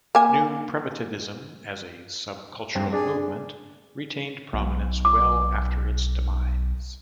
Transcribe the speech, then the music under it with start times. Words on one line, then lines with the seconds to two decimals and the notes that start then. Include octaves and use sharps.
New Primitivism as a sub-cultural movement retained prominence well after its demise.
0.15 A#3 G#5
2.75 G2 C4
2.93 D4 G#4 D5
4.53 B1
5.05 D6